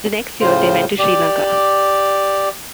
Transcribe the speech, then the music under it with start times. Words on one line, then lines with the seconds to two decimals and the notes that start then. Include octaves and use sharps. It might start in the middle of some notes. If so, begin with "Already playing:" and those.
The next year they went to Sri Lanka.
0.41 A2 C#3 F4 C5
0.99 G4 D5